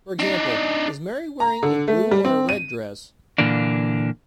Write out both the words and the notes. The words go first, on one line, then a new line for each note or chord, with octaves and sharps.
For example, Is Mary wearing a blue or a red dress?
D4 D#4
A#5
D3
A3
G3
C4
D#7
A#2 D3 E3 A#3 D4